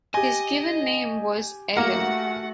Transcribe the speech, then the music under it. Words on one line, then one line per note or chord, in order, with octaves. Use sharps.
His given name was Elim.
G4 D#5 G#5
A3 A#3 F#4 A#4 F#5